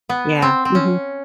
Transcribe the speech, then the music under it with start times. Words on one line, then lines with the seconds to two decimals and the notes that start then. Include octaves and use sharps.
Yeah, mhm.
0.09 B3
0.42 C4
0.65 C4
0.75 C#4